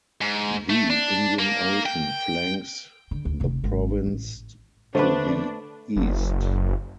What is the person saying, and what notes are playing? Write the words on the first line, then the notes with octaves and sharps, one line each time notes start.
The Indian Ocean flanks the province to the east.
G#2
A3
D4
A#3
G5
D3
D2
F1 C3
G#1
A1
D3 A3 D4 B4 C5
F#1